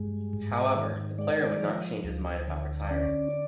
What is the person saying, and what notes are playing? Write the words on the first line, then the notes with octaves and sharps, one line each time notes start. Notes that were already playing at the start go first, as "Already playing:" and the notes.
However, the player would not change his mind about retiring.
Already playing: G2 G#3
G#2
D#3
G#3 D5
F3
D2
D3
C#4 D5